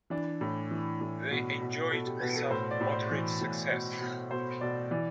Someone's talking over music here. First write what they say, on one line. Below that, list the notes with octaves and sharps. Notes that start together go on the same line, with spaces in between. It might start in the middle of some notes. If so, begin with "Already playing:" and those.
They enjoyed some moderate success.
E3 D4
A2
E3
A2
B2
B2
B2 A4
G4
B2 B4
A4
B4
A2 C5
D5
A2
C5
E3
A2
B2
B2
B2 C5
B2 D5
E3 D5